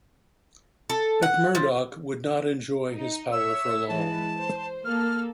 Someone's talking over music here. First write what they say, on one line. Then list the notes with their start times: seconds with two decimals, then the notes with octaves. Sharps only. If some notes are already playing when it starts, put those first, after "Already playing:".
But Murdoch would not enjoy his power for long.
0.90 A4
1.23 F#5
1.55 F3
2.94 D#4
3.32 C#5 E5 E6
3.89 E3 G#3 B4 A5
4.38 C5
4.85 A#3 A4 F6